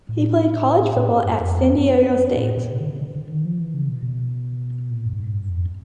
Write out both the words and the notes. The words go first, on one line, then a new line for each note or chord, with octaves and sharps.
He played college football at San Diego State.
A2
A#2
A2
A2
G#2
F#2
F2
G2
F#2
A#2
A2
A#2
C3
D#3
D3
D3
D3
D#3
F3
E3
C#3
B2
B2
A#2
G2
G#2
G2
F2